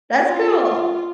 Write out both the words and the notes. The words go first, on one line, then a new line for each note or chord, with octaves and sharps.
That's cool.
F4
F4